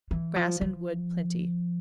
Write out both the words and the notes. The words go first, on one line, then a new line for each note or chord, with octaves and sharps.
Grass and wood plenty.
E3
F3
F3